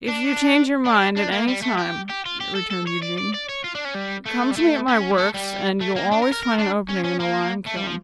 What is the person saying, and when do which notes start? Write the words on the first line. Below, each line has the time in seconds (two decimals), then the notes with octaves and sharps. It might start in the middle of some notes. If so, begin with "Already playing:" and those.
'If you change your mind at any time,' returned Eugene, 'come to me at my works, and you'll always find an opening in the lime-kiln.'
0.08 D4
0.86 D4
1.17 D4
1.32 A#3
1.48 G3
1.63 A3
1.78 G4
2.09 G4
2.26 F4
2.41 G4
2.56 A4
2.71 A4
2.87 C#5
3.02 D5
3.18 D5
3.34 D5
3.49 C#5
3.64 F4
3.75 D4
3.85 C#4
3.95 G3
4.26 A3
4.51 G3
4.57 A3
4.88 C#4
5.11 G3
5.18 A3
5.35 G3
5.81 A3
5.96 A#3
6.11 D4
6.22 A#4
6.32 A#4
6.43 A#4
6.58 D4
6.89 C#4
7.04 C#4
7.20 A#3
7.66 A3
7.76 G3
7.87 F3